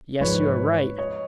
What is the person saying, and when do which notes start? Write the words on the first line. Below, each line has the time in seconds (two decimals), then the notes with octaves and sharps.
"Yes, you are right."
0.21 G#2 F3 G#3 B4 C#5
0.98 C#5 D#5